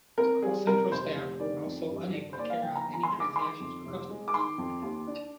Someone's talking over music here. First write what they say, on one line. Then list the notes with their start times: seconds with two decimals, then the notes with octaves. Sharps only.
Call centre staff were also unable to carry out any transactions for customers.
0.18 C4 A#4
0.42 G3 G#4
0.67 C3 A#4
0.91 F1 C5
1.17 F1
1.40 D#3 D5
1.65 F2
1.89 G2
2.13 D4
2.33 C5
2.38 A#3 D5
2.50 F5
2.62 F3 G5
2.75 A#5
2.87 G1
2.94 A#5
3.03 C6
3.11 G#3
3.20 D6
3.36 D#3 C6
3.60 F2
3.85 F1
4.10 G#3
4.28 D6
4.34 D#3 C6
4.58 F2
4.82 D#2
5.07 D4